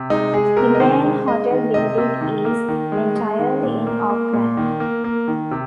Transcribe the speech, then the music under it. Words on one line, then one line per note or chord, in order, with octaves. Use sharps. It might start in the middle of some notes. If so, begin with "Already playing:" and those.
The main hotel building is entirely in Oakland.
Already playing: C3
G#3 D#4
G#3 G#4
C3 A#4
D#5
D#3 C5
G#3
G#3 D#5
D#3
C3 D#5
C3
D#3
A#3
D#3
G#3
G#3
D#3
A#2
A#3
A#3
A#2
D#3
A#3
A#3
D#3
C3